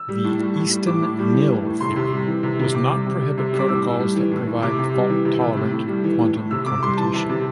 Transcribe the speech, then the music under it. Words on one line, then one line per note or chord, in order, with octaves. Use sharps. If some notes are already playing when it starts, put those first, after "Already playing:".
The Eastin–Knill theorem does not prohibit protocols that provide fault tolerant quantum computation.
Already playing: E6
G3
A2
G3
A2
G3
A2 D6
A2
G3
E3
A2
A2
C3 C6
C3
G3
E3
C3
C3
C3 D6
G3
C3
G3
C3
G3
D6
A2 E6
A2
G3
E3
A2
A2
C3 D6
C3
G3
E3
C3
C3
A2
A2
G3
E3
A2
A2
C3 E6
C3 D6
G3 C6
E3 A5
C3
C3